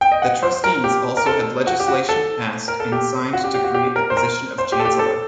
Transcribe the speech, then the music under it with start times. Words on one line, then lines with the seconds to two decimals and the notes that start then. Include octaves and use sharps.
The trustees also had legislation passed and signed to create the position of chancellor.
0.01 G5
0.12 D#5
0.22 F#5
0.43 C5
0.64 A#4
0.84 G4
1.17 A#4
1.26 A4
1.67 F#4
1.80 G4
1.88 F#4
2.09 A4
2.68 A#4
2.80 A4
2.92 G4
3.33 F#4
3.44 G4
3.54 G4
3.64 F#4
3.74 G4
3.96 A#4
4.10 C5
4.17 A#4
4.58 C5
4.72 G4
4.80 A4
4.85 G4
4.99 A4